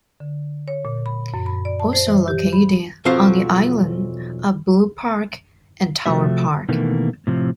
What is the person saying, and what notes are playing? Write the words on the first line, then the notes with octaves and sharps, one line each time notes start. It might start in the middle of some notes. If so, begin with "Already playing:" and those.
Also located on the island are Blue Park and Tower Park.
D3
C#5
A#2
B5
F#2
B5
D5
A5
C5
E3
G4
B5
B1 E2 F3 C4 F#4 F5
C3 F3 A3 C4 F#4 E5
B2 D#3 E3 A3 A#3
A2 C3 F3